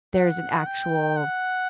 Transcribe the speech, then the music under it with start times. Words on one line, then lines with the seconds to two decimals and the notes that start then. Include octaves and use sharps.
there's an actual
0.15 F#5
0.66 G5
1.17 F#5